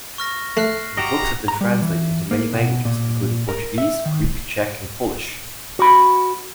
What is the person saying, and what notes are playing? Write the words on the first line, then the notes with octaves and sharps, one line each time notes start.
The books have been translated into many languages, including Portuguese, Greek, Czech and Polish.
C#6 F6 A#6
A3 F6 F#6 C7
F#4 G4 D#5 A#5
A#5
G3
E3
A#3
B2
A#2
A#4
E5
D#3
F#4 B5